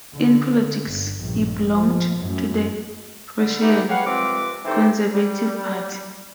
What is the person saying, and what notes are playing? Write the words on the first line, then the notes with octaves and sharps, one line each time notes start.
In politics, he belonged to the Prussian Conservative party.
D3
G1
A#1 G2 A#2
F3
F#2 A2
D3 G3
A3 B3 D#4 G4
G4 B4 C#5 F5 F#5
C2 F3 G#3 C4 B4 D6
E3 C4 D#4 G4 A4 C5
G3